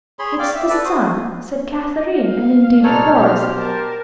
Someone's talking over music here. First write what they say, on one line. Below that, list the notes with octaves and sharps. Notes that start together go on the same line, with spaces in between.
"It's the sun," said Katharine, and indeed it was.
G#4 C#5 B5 C6
D5 F5 G5 D6
E5
A4 B4 D5
F#4 C5 D#6
F5
C2 A#2 D4 D#4 A4 C#5 F6
B2 F#3 G4 C5 F6
A#4 A5